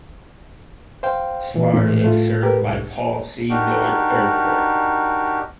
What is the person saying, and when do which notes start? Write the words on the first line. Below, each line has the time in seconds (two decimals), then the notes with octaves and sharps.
Sparta is served by Paul C. Miller Airport.
1.03 C5 F5 G5
1.54 A#2 E3
1.73 A2
2.04 A3 F4
2.43 G4 A#4 B4
2.65 C2
3.50 D4 D#4 F#4 G4 A#4